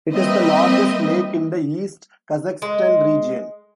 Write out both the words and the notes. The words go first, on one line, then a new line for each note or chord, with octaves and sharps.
It is the largest lake in the East Kazakhstan Region.
G3 A#3 C4 B4 D#5 E5
G#3